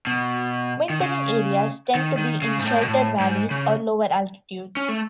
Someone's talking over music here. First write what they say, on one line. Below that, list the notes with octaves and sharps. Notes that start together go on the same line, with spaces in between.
Wintering areas tend to be in sheltered valleys or lower altitudes.
B2
D#3
C#3
D#3
D#3
C#3
G#2
A2
B2
A2
G#2
C#3
C#4
A3